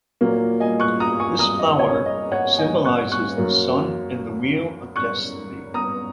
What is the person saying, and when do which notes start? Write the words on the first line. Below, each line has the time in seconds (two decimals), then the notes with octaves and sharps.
This flower symbolizes the sun and the wheel of destiny.
0.21 A#2 F#3 A#3
0.60 D#5 G#5
0.80 C#6 F#6
1.00 A#5 D#6
1.20 G#5 C#6
1.39 A#5 D#6
1.59 D#5
1.79 C#5
2.06 D#5
2.32 C#5 F#5
2.58 D#5 G#5
2.85 C#6 F#6
3.12 C#6 F#6
3.37 F#2 F#3 A#3
4.96 C#6 F#6
5.74 A#5 D#6